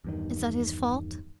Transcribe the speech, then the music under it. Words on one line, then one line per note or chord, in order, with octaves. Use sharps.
Is that his fault?
E2 G2 D#3